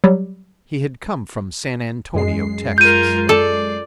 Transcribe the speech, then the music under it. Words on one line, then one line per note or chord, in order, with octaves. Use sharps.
He had come from San Antonio, Texas.
F#3 G3 G4
F#2 G#3 C7
F4 A#4 G6 D#7
A4 D5